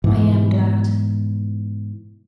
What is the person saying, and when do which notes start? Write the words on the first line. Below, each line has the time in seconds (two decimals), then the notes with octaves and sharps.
'I am glad.
0.04 G#2 B2 E3